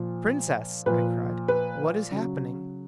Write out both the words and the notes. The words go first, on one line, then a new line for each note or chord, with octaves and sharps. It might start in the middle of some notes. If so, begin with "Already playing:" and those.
"Princess!" I cried, "what is happening?"
Already playing: A#2 F3
A#2 F3 B4
B4
C#3 F#3